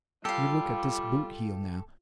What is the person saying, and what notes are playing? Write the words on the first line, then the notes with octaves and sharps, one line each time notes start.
You look at this boot heel, now.
G3 F4 G4 A4 F5